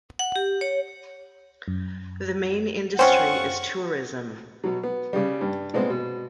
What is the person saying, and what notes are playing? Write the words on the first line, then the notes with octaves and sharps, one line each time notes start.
The main industry is tourism.
F#5
G4
C#5
F#2
C4 C#4 F4 C5 F#5 C#6
B2 F#3
B3
C#3 G3
G2
A#2 G#3 B3 C4
B2